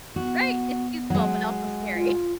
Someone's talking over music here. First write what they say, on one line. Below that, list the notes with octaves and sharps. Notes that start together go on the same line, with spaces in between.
Right, it's useful, but also scary.
B3 F#4
F#3 G#3
F4